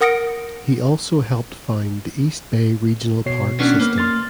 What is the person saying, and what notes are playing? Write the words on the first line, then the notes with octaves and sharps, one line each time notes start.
He also helped found the East Bay Regional Park system.
A#4 F#5 D#6 A#6 C#7 D7
B2 C#5 C7
B3 C#4 D4
A#3 B3 B4
C6 F6 A6